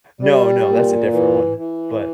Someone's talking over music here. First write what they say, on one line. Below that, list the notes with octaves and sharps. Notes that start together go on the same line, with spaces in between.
No, no, that's a different one, but
G3
A#2
E3
E3